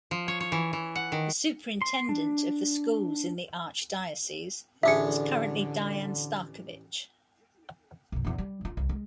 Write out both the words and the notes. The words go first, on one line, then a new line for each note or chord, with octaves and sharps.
The superintendent of the schools in the Archdiocese is currently Diane Starkovich.
F3
C#5
C#5
E3
E3
F#5
D#3
C6
D4
A1 D3 D4 G#4 E5 C#7
B1 F#2
A#1 E2
G3
D1 F4
C2
G#3